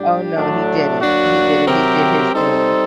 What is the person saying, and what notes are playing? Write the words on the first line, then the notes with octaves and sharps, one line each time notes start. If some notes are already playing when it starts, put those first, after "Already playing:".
Oh, no, he didn't, he did it, he did his thing,
Already playing: A2 G3 D4 G4
A2 F#3 A3 D4
F#3 A#3 D4 F#4
C3 F#3 C4 G4 A#4
G3 C4 D#4 A4 C5